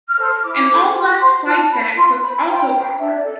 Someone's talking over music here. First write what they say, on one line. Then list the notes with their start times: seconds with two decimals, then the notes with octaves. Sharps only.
An all-glass flight deck was also offered.
0.09 F6
0.18 A4 C5 E6
0.26 F6
0.43 E4 D6
0.68 A4 C5
0.95 F4
1.19 C5 C6
1.45 F4 A5
1.70 C5 B5
1.96 F4 C6
2.21 C5 B5
2.47 F4 G5
2.73 C5 G5
2.98 D4 E5
3.15 D5
3.24 A4